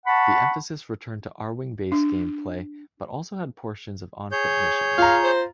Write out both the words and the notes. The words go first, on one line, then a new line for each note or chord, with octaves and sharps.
The emphasis returned to Arwing-based gameplay, but also had portions of on-foot missions.
F#5 A5 B5 C#6
D4
G#4 C#5 G6
F4 F5 A#5
C5